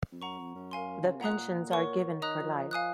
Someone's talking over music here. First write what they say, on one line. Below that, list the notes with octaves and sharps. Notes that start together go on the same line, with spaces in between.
The pensions are given for life.
F2
F#2 F#5 A#5 C#6
F2
F#2
A#4 F5 G#5 C6
D#3
C#3
C3
A#2 F#5 A#5 D#6 F#6
A#4 C#5 F#5 C#6
D#3 D#5 A#5 D#6 F#6
F3
F3
F5 G#5 D#6 F#6